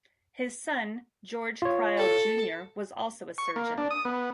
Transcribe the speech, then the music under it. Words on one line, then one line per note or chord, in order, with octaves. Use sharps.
His son George Crile, Junior was also a surgeon.
F4 C#5
A4
C#6
A#3
D4
D#6
B3